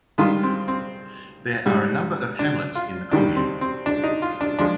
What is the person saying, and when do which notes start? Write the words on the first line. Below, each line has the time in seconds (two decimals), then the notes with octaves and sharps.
There are a number of hamlets in the commune.
0.18 G2 D#3 G#3 F4
0.43 C4
0.68 C4
1.66 G#2 G3
2.39 D4
2.75 F4
3.11 D#2 D#3 G3 D4
3.36 C4
3.61 C4
3.86 D4
4.04 D#4
4.22 F4
4.41 D4
4.59 F3 G#3 D4